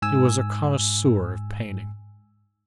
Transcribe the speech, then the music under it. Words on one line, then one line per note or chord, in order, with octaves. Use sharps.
He was a connoisseur of painting.
G#2 G#5 E6